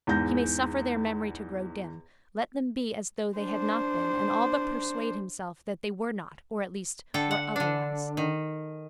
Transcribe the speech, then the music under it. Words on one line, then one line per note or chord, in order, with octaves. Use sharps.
He may suffer their memory to grow dim, let them be as though they had not been and all but persuade himself that they were not or at least were otherwise.
E2 G#2 G6 A#6
D4 C5
D3 A4 G5
F#5
D3 D4
D#3